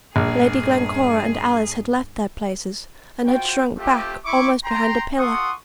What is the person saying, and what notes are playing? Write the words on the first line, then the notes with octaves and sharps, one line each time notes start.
Lady Glencora and Alice had left their places, and had shrunk back, almost behind a pillar.
A#1 G2 G#4
F4 F#4 C5 G5
A3 C4 F4 G4
E4 C#6 D6
G5 A#5 C6
F4 A4 F#5 C6 C#6 D#6